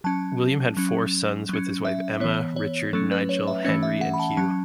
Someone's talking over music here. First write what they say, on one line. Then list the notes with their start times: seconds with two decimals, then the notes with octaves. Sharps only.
William had four sons, with his wife Emma; Richard, Nigel, Henry and Hugh.
0.04 F#3 C#4 A5
0.77 F#3 C#4
1.49 F#3 C#4
1.85 E5
2.20 E3 B3 C#5
2.56 C#5
2.93 F#3 A3 C#4 A4
3.12 B4
3.29 C#5
3.47 E5
3.65 E3 A3 C#4 C#5
3.83 E5
4.01 F#5
4.14 B5
4.19 A5
4.37 F#3 C#4 A5